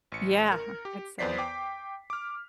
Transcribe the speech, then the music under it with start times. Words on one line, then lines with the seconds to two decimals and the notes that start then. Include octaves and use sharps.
Yeah, I'd say.
0.12 A1 C#7
0.52 A#4
0.85 G4
1.19 E2 B3 C5 D5 B6 C7
1.38 G5 D6
2.10 D6 F6